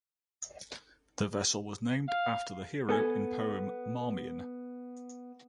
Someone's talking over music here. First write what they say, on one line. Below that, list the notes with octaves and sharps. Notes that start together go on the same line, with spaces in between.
The vessel was named after the hero in poem Marmion.
F5
B3 A4 G#5